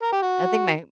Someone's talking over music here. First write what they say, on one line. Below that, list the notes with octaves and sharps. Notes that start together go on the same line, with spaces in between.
I think my
A#4
G4
F#4